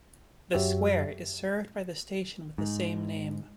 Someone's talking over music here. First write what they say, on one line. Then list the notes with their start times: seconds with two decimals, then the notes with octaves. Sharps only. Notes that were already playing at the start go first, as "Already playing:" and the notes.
The square is served by the station with the same name.
0.54 F#2 F#4 G4 C#5 E5
2.58 G#2